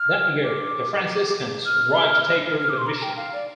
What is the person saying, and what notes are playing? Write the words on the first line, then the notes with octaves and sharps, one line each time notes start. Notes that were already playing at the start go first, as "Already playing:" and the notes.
That year, the Franciscans arrived to take over the mission.
Already playing: F6
D6
F6
F6
D6
C6
A#5
A#5
G5
F5
D5